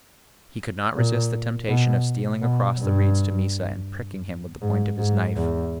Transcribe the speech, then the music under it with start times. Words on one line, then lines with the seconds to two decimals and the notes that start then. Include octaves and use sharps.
He could not resist the temptation of stealing across the reeds to Mysa and pricking him with the point of his knife.
0.95 A#2
1.68 B2
2.42 B2
2.78 G2
4.62 G#2
4.99 G#2
5.36 E2